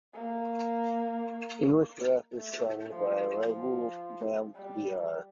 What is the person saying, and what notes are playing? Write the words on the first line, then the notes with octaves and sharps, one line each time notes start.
English Rap is sung by Rahul Nambiar.
A#3
A3
F3
F3
G3